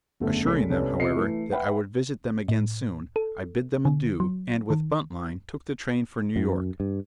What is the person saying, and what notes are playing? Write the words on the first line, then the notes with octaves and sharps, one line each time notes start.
Assuring them, however, that I would visit them again soon, I bade them adieu, and with Buntline took the train for New York.
F#1 E2 D3 A3
C2 G#3 A#3 A4 C#5 B6
C2 B3 C#4 A4 C#5
C3 F4 D#5 C7 C#7
E3 A3
B4 E5 F#5 G5 B5
A2
A4
D3
F#3
D#3
F#2
G2